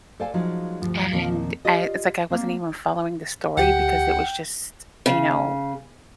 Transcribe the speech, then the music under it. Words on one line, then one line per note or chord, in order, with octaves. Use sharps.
and, eh it's like I wasn't even following the story because it was just, you know,
A4 C5 D5 F5 G#5
F3 F#3 G#3 D#4 F4
D2 G2 F3 F4
E2 A#2 D#3 F3 C4
F4 G4 D5 D#5
A#3 C4
D2 G4 F#5 G5
C#3